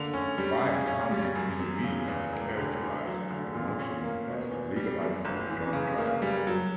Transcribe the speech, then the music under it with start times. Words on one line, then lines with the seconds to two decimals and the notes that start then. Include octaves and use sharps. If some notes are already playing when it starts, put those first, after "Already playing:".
Wide comment in the media characterised the motion as legalising drunk driving.
Already playing: D3 A#3
0.14 C#4
0.38 G3
0.63 C#3
0.87 C#4
1.11 G3
1.35 F#2
1.60 F#3
1.84 C#3
2.08 E2
2.33 E1
2.57 D3
2.82 E2
3.06 F#3
3.30 D3
3.54 A#2
3.79 C#4
4.04 A#3
4.27 B2
4.51 E2
4.76 G3
5.00 F#2
5.25 G1
5.50 E3
5.73 C#3
5.98 A#3
6.22 G3
6.47 F#3